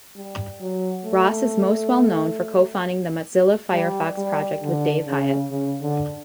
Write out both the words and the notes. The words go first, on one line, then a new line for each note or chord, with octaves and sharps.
Ross is most well known for co-founding the Mozilla Firefox project with Dave Hyatt.
G3
F#3
A3
G3
G3
D3
C#3
C#3
D3